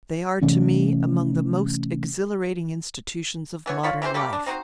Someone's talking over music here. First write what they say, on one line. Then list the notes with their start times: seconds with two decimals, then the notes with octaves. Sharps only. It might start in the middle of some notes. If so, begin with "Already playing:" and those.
They are to me among the most exhilarating institutions of modern life.
0.41 C3 E3 A3 C#4
3.66 E3 B3 C#5
3.83 F4 C#5 B5
4.02 C3 E3 C#4 C5
4.14 G3 A3 A#3 G4
4.33 D4
4.46 C4 D#4 F#4 C5